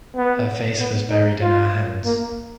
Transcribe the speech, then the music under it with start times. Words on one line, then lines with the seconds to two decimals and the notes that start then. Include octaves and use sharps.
Her face was buried in her hands.
0.16 B3
0.79 B3
1.10 D#4
1.42 F4
2.05 A#3